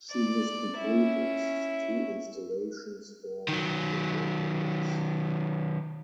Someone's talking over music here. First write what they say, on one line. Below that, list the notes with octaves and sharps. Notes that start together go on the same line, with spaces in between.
She has completed two installations for The Woodlands.
D5
C#4 E4
D#3 F#3